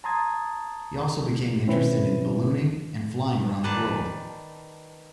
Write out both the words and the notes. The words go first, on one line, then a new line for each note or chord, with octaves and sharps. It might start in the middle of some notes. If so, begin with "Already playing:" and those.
He also became interested in ballooning, and flying around the world.
A5 A#5 C6 D#6 G#6 A6
B2 D#3 C4 C#4 E4 B4
D#3 B4 D5 A5